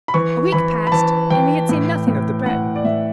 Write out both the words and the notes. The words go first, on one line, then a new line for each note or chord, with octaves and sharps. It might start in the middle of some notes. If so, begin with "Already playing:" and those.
A week passed, and we had seen nothing of the Breton.
B5
E3 C#6
E3 B5
B5
E3 A5
E3 G5
A2
A2
A2 F#5
D5
A2 E5